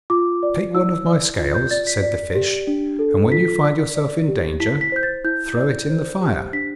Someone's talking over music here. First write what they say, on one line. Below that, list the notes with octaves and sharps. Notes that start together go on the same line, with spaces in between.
'Take one of my scales,' said the fish, 'and when you find yourself in danger, throw it in the fire.
F4 D6
D5
E4 E6
D5
F4
G6
D5 A6
B6
D5
G4
D4
A4
F4 B6
D5
D5
G4
E4 B6
B6
C5 G6
A6
E4 G6
D5
C5
G4
D4 B6